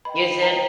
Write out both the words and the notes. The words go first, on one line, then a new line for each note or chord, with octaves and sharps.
Is it?
B4 D#5 G5 B5
B4 D#5 G5 A#5